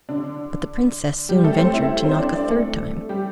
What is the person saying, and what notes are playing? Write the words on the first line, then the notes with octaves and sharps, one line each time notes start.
But the princess soon ventured to knock a third time.
D3 D4
G3 G4
A3 A4
C4 C5
E4 E5
C4 C5
D4 D5
D4 D5
A3 A4
G3 G4